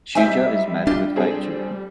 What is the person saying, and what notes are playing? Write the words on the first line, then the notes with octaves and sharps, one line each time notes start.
Shija is married with five children.
G3 C4 D#4 C5 E5 G#5
D4 F4 G4
C4 G#4 A4